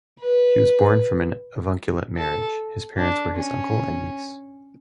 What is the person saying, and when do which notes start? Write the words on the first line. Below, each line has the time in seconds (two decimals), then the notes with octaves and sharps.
He was born from an avunculate marriage - his parents were uncle and niece.
0.20 B4
2.17 A4
2.97 D4
3.36 C#4